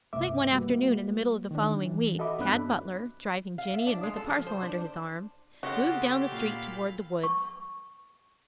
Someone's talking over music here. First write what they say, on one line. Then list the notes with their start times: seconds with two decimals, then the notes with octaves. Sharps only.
Late one afternoon in the middle of the following week, Tad Butler, driving Jinny and with a parcel under his arm, moved down the street toward the woods.
0.13 C#2 G2 C3 A3 E5 D6
0.52 G3 A#3 F#4 B4
1.51 D#3 D4
1.85 E3
2.19 F#4 A4 D#5 E5 B5 D6
2.39 G2 B3 C4 D4 B5 F#6
3.58 F5
3.74 E5
3.86 D4
4.03 G#3
4.16 A4
4.29 F3
4.47 C5
4.62 D4
5.63 C#3 F#4 G4 A4 C6
6.32 A#2 F5 B5
7.24 C#6